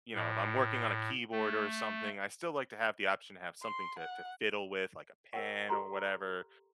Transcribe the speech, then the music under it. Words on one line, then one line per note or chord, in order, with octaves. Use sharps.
you know if I'm working on a keyboard or something, I still like to have the option to have something to to fiddle with, like a pen or whatever,
A2
A3
C6
F#5
A#4 C#5 F#5 G5 C#6
G4 A4 A#5 C6